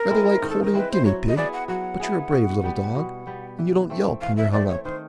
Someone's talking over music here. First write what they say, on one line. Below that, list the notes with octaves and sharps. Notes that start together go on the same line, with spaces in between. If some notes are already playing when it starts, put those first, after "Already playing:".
'Rather like holding a guinea-pig; but you're a brave little dog, and you don't yelp when you're hung up.
Already playing: A#4
G#3 C4 E4
D#3
A4
A#4
G#3 C4 E4 B4
C5
F#3 C#5
D#5
B3 E4 G#4 D5
F#5
F#3 F#5
B3 E4 G#4
B2
G3 B3
B2
G3 B3
E3
A3 C4
E3 F5
E5
A3 C4 D5
C#5
D#3 C5